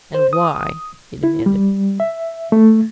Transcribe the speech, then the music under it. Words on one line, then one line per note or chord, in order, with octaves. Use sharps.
"And why?" he demanded.
C5
D#6
E4
G3
E5
A3